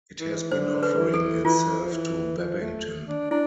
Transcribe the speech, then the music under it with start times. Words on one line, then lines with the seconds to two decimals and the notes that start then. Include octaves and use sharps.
It has been offering itself to Babbington.
0.20 E3
0.52 D3 C5
0.83 B4
0.93 D3
0.98 E3
1.14 A4
1.45 E3 F4
1.79 F3
1.91 E3
2.38 F3
2.62 A3
3.08 D4
3.31 D4 E4